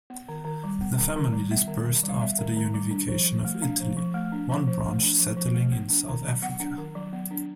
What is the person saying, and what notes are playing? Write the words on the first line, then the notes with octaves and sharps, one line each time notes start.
The family dispersed after the unification of Italy, one branch settling in South Africa.
B3
D#3
D#3
G3
B3
D#3
D#3
G3
B3 E5
D#3
D#3
G3
F5
B3 E5
D#3
D#3
G3
D4
F3
F3
A3
D4 F5
F3
F3
A3
D4
F3
F3
A3
D4
F3
F3
A3
B3
D4
D#3
F#3
B3 F#5
D4
D#3
F#3
B3
D4